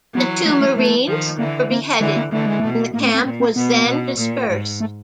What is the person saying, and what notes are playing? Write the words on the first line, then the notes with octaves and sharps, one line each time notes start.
The two marines were beheaded and the camp was then dispersed.
E3 F#3 B3
A3
A3
A3
D#3 F3
D3 E3 A#3
A#3
D3 E3 G#3
A#3
D3 E3 A3
G#3
B2 A3
A2 A#3
C4
C4
A#2 C4
C4
B2 B3
B2
A#2
G#2
A3